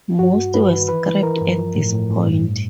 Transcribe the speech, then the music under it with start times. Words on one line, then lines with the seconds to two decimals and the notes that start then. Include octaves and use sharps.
Most were scrapped at this point.
0.19 G2 F#4
0.37 G2
0.54 G2 B4
0.71 D#3
0.89 E3 B4
1.06 E3
1.23 E3 A#4
1.41 G2
1.58 F3
1.75 A2
1.92 A2
2.10 A2
2.27 G2